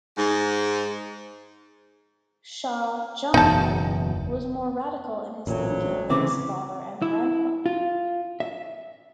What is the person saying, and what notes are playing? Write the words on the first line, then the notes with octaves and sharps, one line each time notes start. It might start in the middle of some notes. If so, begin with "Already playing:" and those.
Shah Jahan was more radical in his thinking than his father and grandfather.
G#2
F#1 E2 B2 D#4 A5
A1 D2 A#2 F#3
C#3 E3 C4 D6
E4
F4
E5